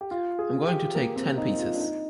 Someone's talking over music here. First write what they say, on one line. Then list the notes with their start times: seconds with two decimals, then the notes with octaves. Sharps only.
I’m going to take ten pieces.
0.01 G4
0.11 F4
0.39 G#4
0.68 G4
0.95 A#3
1.16 C4
1.38 D#4
1.59 F4
1.75 D4
1.80 D#4